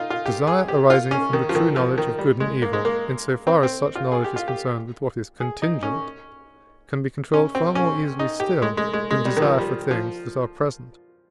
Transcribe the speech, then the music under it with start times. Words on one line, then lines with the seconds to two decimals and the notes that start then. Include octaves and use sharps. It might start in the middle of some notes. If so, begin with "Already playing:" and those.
Desire arising from the true knowledge of good and evil, in so far as such knowledge is concerned with what is contingent, can be controlled far more easily still, than desire for things that are present.
Already playing: D#4 F4
0.10 F4
0.26 G4
0.47 G#4
0.68 G4
0.90 F4
1.11 C#4
1.33 D#3
1.49 F3
1.55 D#3
1.76 F3
1.98 D#3
2.19 G3
2.40 G#3
2.62 A#3
2.73 G#3
2.85 A#3
3.47 C4
3.63 C4
3.95 F4
4.12 G#4
4.24 G4
4.36 F4
4.48 G4
5.40 G#4
5.62 D#4
5.83 C#4
7.34 C#4
7.55 C4
7.75 C#4
8.19 D#4
8.40 G4
8.62 G#3
8.77 G#3
8.93 G#3
9.11 G#3
9.25 G3
9.37 D#3
9.42 F3
9.58 G3
9.91 F3